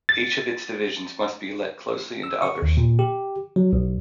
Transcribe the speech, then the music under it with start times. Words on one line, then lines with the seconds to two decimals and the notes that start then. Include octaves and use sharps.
Each of its divisions must be let closely into others.
0.09 A6
2.23 E6
2.42 C#6
2.62 D#2
2.77 A#2
2.99 G4
3.56 F#3
3.73 B1